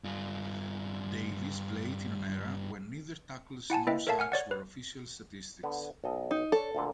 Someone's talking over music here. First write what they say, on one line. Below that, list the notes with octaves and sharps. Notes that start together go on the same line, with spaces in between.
Davis played in an era when neither tackles nor sacks were official statistics.
G2 F4
E4 F#5 G#5 A5
A#3 E4 B4 D#5 E5 G5
A4 A#4 C#5 E5 F5 A5
F#5 G#5 F6 C#7
C#5 D5 F#5
B4
D3 B3
B1 A4 D#5
D#4
D4 A4 C#5
D2 A#2 D3